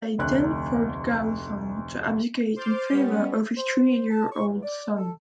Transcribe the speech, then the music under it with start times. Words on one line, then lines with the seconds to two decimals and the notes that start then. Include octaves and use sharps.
They then forced Gaozong to abdicate in favor of his three year old son.
0.18 F1 D2 F#6
2.56 C5 C6 D6 F6 G6 A6
2.91 G3 B3 C#4
3.57 C5
4.09 A5
4.31 C#6
4.46 E2
4.62 D5
4.97 A4